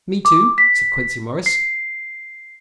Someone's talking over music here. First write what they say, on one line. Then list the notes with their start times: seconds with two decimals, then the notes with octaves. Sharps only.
"Me too?" said Quincey Morris.
0.25 D6
0.58 B6
1.46 C7